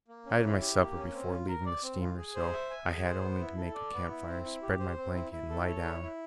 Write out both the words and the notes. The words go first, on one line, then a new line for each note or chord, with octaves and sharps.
I had my supper before leaving the steamer, so I had only to make a campfire, spread my blanket, and lie down.
A#3
C#4
E4
G4
A#3
C#4
C4
F4
A#4
D5
C4
F4
G#4
C5
E5
G#5
G#4
C5
B3
E4
A4
D5
B3
E4
C4
E4
G4
C5
C4
E4
E4
A4
C#5
E4
E4